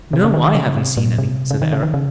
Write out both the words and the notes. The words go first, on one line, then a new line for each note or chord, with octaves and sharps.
'No, I haven't seen any', said Eric.
C3
C#3
D#3
C#3
C3
A#2
C3
C#3
D#3
C#3
D#3
C#3